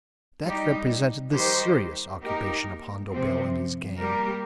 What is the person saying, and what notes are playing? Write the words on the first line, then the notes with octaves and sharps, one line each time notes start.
That represented the serious occupation of Hondo Bill and his gang.
G3 D#4 G4
D#3 G3 D#4 G4 C5
A#3 D#4 G4 A#4
C3 F3 C4
G3 A#3 G4 A#4